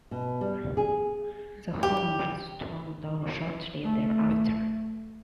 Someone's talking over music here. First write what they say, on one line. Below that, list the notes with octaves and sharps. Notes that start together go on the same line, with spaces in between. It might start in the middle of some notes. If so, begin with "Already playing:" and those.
The home was torn down shortly thereafter.
B2
G3
G#4
G4
A3